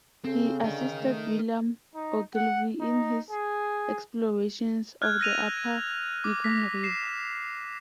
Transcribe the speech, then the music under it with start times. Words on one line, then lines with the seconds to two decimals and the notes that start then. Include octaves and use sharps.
He assisted William Ogilvie in his explorations of the upper Yukon River.
0.25 C#3 C4 A4
0.64 D3 A#4 D#5
1.01 A3
1.95 D#4
2.35 F#5
2.80 D#4
3.30 G#4
5.02 F6 F#6 G#6
5.20 E6 A#6 D#7 F7
5.57 D#7
6.24 D6
6.44 A#6 B6
6.84 C7 E7